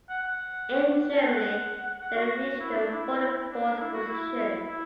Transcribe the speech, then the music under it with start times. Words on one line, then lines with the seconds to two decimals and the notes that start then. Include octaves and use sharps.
In Germany they reached the forty-fourth position.
0.09 F#5
0.23 F#5
1.12 A5
1.27 F#5
2.01 F#5
2.16 F#4
2.60 E4
2.75 D4
2.90 E4
3.49 D4
3.78 E4
3.93 F#4
4.08 E4
4.67 E4